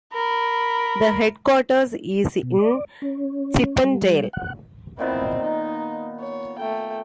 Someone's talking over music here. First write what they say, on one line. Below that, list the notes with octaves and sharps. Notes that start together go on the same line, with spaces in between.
The headquarters is in Chippendale.
A#4 B5
B2
D5
C#4
G3
F#5
A#2 D#3 B3 C4 E4
D#4
C#5
A3 G5